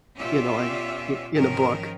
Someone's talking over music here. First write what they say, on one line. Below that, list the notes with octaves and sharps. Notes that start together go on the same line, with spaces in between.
you know, like, in in a book.
B2 C#4 F4 G4 D5 E5
G#2 D#3 F3 C#4 A#4